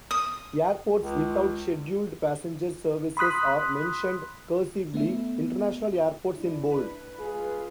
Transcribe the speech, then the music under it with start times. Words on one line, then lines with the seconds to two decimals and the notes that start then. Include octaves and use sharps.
Airports without scheduled passenger services are mentioned "cursively"; international airports in bold.
0.11 D#6
0.99 C#2
3.17 B5 C6 D#6 F#6 B6
4.94 A3 B3 E5
6.34 D4 E4
6.71 B4
7.17 G#3 F4 G#4